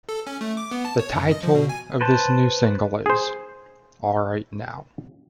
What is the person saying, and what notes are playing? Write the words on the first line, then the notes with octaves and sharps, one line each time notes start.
The title of this new single is "Alright Now".
A4
C#4
A3
D6
B3
A5
C#5
F#2
D#5
F3
B2
G#5
B4 C5 A5
G#4 C5